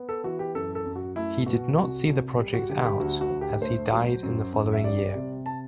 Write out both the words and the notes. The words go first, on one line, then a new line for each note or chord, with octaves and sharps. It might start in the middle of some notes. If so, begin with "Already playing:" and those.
He did not see the project out, as he died in the following year.
Already playing: B3
A4
E3 F#4
G4
F#2 A4
A4
F#2
F#4
A3 E4
B2 F#4
C2 F#4
C2
G3
F#4
D3 G4
G4
D2 F#4
F#4
D2
G4
A3 C5
F#3
F#2
F#2
E5
G3 D5
C3
A5